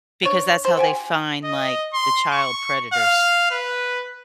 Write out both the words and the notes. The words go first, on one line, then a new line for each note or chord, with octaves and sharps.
because that's how they find, like, the child predators.
D4 C#5
C5
F#4 G4 G#5
D#5
C6
C#6
F5
B4